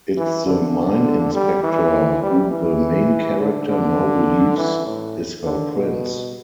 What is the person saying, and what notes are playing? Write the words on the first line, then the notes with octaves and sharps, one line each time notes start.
It's the mine inspector who the main character now believes is her prince.
E3
D3
G3
E3
G3
E3
D3
D3
E3
A2
D3
B2